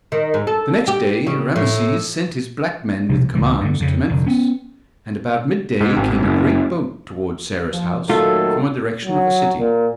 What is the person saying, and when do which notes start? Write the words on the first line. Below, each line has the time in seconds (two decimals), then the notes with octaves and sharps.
The next day Rameses sent his black men with commands to Memphis, and about midday came a great boat toward Sarah's house from the direction of the city.
0.12 D#3
0.34 G#2
0.47 A4
0.88 G4
1.27 C#3
1.56 A2
3.09 C2 B2 F3
3.35 C#2 A2 E3
3.61 G2 D3
3.80 F2 C#3
4.09 F1 D3
4.26 B3 C#4
5.81 G#2
5.96 G#1
6.23 F#1
7.71 F3
8.10 A#2 D#3 F#3 A3 F4 A4
9.05 F#3
9.59 A#2